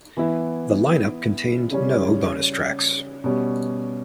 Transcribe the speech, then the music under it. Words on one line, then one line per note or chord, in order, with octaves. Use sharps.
The lineup contained no bonus tracks.
E3 B3 E4
C#3 G3 C#4
B2 G3 C#4